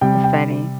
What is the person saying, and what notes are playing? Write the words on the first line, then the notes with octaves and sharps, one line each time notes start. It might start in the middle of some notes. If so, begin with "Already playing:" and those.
it's funny.
C3 G3 G5
G5